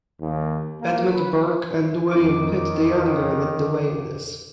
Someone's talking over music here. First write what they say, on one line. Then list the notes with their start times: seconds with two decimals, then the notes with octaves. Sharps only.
Edmund Burke and William Pitt the Younger led the way in this.
0.21 D#2
0.81 A#3
1.13 B4
2.11 F2 D#3 D6